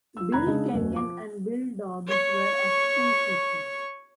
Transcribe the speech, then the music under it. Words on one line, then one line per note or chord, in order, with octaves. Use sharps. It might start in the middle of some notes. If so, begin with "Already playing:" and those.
Bill Kenyon and Bill Dobbs were assistant coaches.
F4 E6
F1 D#3 A#5 B5 F#6 G#6
C#3 G#3 D4 D#4 G#4
E1 F#2 B2 A#4
F3 D6
C#5 C#6